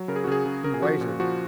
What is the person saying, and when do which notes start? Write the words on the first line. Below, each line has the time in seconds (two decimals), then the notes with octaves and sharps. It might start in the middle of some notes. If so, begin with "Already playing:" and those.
He waited.
Already playing: F#3
0.08 C#3 A#4
0.16 G#4
0.24 F#4
0.27 C#3 G#4
0.46 C#3
0.64 C#3 A#4
0.74 G#4
0.82 F3 F#4
1.01 A#2
1.20 F3 F#4